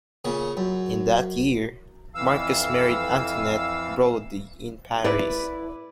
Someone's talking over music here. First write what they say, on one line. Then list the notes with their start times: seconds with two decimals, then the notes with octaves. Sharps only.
In that year, Marcus married Antoinette Brody in Paris.
0.25 A#2 C#3
0.57 F#2
2.15 F2 E3 F5 E6
5.04 E4 B4 D5